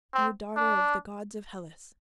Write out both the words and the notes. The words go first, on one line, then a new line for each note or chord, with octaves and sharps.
Oh, daughter of the gods of Hellas!
C4
D4